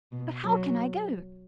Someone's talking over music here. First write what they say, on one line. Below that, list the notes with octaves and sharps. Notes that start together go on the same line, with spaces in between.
But how can I go?
B2
F#3